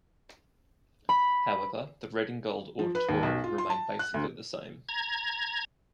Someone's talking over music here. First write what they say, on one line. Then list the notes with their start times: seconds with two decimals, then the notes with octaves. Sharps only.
However, the red and gold auditorium remained basically the same.
1.09 B5
2.79 F3
2.95 B4
3.09 D#2
3.23 B1
3.44 F4
3.58 C6
3.70 A5
3.99 F#6
4.14 D2
4.89 A#5 G#6